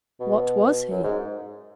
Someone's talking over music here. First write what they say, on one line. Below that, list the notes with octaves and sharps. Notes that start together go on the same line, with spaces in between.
What was he?
B2
F#2
G#2